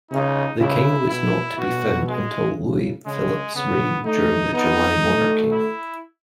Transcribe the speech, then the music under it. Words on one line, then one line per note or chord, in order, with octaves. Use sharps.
This king was not to be found until Louis-Philippe's reign during the July Monarchy.
C#3 D#4
C#3 E4
B2 E4
B2 F#4
G#3
C#3
C#3 G#3
C#3 B3
A3 D#4
B3 D#4
A3
E4